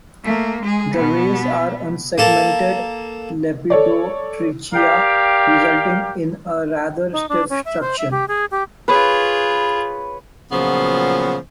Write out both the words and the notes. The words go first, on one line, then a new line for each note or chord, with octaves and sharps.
The rays are unsegmented lepidotrichia, resulting in a rather stiff structure.
A3 A#3
G#3 G#4
B2 B3
A#3 A4
A4 C#5 D5
G4 A#4 D5 F5 G5
D#4
D4
C#4
E5
C5
E5
G4
G#4
G4
F4 G#4 B4 C#5
A#2 C#3 F3 F#3 B3